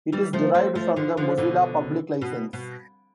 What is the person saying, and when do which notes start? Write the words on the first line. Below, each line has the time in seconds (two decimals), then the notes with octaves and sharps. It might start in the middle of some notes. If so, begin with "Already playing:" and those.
It is derived from the Mozilla Public License.
0.12 E3 G3
0.33 F3 A3
0.54 A3 C4
0.75 F3 A3
0.96 D3 F3
1.17 D3 F3
1.38 B2 D3
2.22 B2
2.53 B2